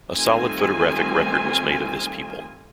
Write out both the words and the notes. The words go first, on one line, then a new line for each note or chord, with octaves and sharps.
A solid photographic record was made of this people.
D#3 G3 A3 C4 F4 G#5